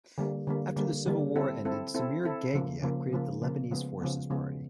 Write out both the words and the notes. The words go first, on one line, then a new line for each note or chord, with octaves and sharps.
After the civil war ended, Samir Geagea created the Lebanese Forces Party.
D3 G3 A#3
D3 G3 A#3
D3 G3 A#3
D3 G3 A#3
C4 E4 A4
C4 E4 A4
C4 E4 A4
C4 E4 A4
C#3 F3 A#3
C#3 F3 A#3
C#3 F3 A#3
C#3 F3 A#3
C#3 F3 G#3 B3
C#3 F3 G#3 B3
C#3 F3 G#3 B3